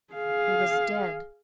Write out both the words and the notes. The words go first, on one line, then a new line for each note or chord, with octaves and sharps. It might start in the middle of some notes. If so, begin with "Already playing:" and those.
He was dead.
G#4 F5